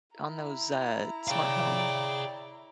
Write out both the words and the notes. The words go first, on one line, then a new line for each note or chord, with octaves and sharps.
on those, uh, smart home
E4 A#5
G#4 C#5 D5 F5 G5